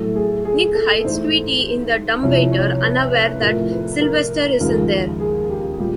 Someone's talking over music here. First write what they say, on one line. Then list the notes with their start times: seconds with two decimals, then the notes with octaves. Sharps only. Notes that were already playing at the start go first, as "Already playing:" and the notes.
Nick hides Tweety in the dumbwaiter, unaware that Sylvester is in there.
Already playing: A2 F#3 A3 A4
0.16 G#4
0.45 G#4
0.75 A4
1.04 G#2 E3 A3 C5
2.22 C2 C3 F3 C#5
2.52 C#5
2.82 B4
3.11 B4
3.41 A2 F3 A3 A#4
3.71 B4
4.01 A#4
4.60 D#2 C#3 F3 G#3 A#4
5.20 G#4
5.50 G4
5.79 A#2 G3 G4